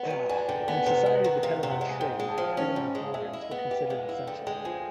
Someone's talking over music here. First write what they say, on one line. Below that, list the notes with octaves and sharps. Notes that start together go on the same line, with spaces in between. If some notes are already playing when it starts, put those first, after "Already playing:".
In a society dependent on trade, freedom and tolerance were considered essential.
Already playing: B3
F#3
D4 G#5
D3 G5
G5
B3 G#5
C3 G5
G#3
F#5
D#3
C3 F5
C3
F#5
G#3
G#5
G#2 G5
G#3
A5
F3
G#5
C#4 A5
G#2
G#3
G#3 E5
F5
E5
E4
D#5
B3
G4 E5
F5
G#3
F#5
E4 F5
D3 G5
G#3 G5
F3 G#5